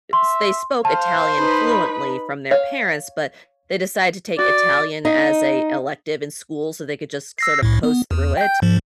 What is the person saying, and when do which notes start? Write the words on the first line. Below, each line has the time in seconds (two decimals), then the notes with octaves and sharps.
s they spoke Italian fluently from their parents, but they decided to take Italian as a elective, in school, so they could just sort of coast through it.
0.13 E5 C6
0.85 C5 F5 A5
1.37 D#4 B4 B5
2.51 C#5 F5
4.39 F#4 D5
5.05 D#4
7.39 E6 A#6 C7
7.63 C2 A2
7.83 B3
8.11 E2
8.37 G5 G6
8.62 G#2 F3